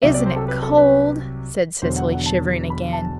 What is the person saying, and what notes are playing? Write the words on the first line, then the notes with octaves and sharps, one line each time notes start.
"Isn't it cold?" said Cecily, shivering again.
C2 C3 F#3 E5
D5
C5
A4
B4
A4
B4
E1 E2 D3 F#3 C5
F#5
F#5
A5
B5
A5